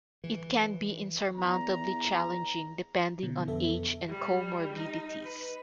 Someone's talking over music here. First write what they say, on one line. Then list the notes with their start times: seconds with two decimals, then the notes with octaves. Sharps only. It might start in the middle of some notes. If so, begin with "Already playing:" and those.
It can be insurmountably challenging depending on age and comorbidities.
0.24 E3
1.37 E2 A#5
3.23 B2 D3
3.47 F2 B3 A4 E5
4.08 G3
4.74 D#4
5.21 B4